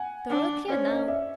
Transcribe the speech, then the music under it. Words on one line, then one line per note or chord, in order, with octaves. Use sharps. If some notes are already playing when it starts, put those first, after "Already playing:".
Dorothea, now.
Already playing: F#5 G#5
D4
C#4 C5 D5
C#5 D#5
D5 E5